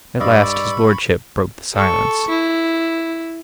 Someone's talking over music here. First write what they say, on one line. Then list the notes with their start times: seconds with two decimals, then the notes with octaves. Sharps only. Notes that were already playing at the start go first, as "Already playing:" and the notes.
At last his lordship broke the silence.
0.20 G2 D5 D#5 F5 B5 C#6 E6
1.74 A4 C#6
2.29 E4